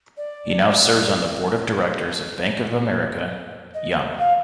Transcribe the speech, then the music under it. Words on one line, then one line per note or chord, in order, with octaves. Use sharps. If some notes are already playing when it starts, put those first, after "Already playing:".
He now serves on the Board of Directors of Bank of America, Yum!
D5
D#5
F5